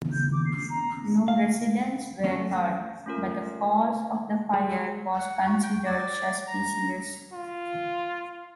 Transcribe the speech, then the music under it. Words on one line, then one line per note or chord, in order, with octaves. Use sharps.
No residents were hurt, but the cause of the fire was considered suspicious.
G6
D6
C7
A#5
F5
F#3 A3 C#4
A3 C#4 F4 A#4
G#3
F#5
F#4
G5
D5
A#5
F4